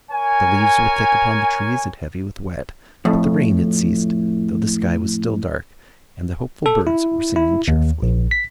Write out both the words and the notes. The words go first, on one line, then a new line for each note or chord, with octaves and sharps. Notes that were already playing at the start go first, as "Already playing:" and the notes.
The leaves were thick upon the trees, and heavy with wet; but the rain had ceased, though the sky was still dark; and the hopeful birds were singing cheerfully.
A#4 C#5 G#5
F2 A2
A4
E4
E4
D#2
A#1
B6